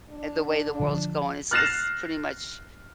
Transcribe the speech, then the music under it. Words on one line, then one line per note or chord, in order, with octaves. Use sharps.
eh, the way the world's going, it's it's pretty much
D4
D3 F3
F6 F#6 A6 A#6 C7 E7